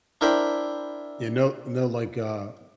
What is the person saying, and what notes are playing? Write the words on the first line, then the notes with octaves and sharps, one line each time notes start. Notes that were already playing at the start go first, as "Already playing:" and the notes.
You know no, like, uh,
D4 E4 A#4 C5 G5 B5